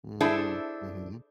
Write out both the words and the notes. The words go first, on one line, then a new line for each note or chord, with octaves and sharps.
Mm, mhm.
D4 E4 G#4 A4 C5 E5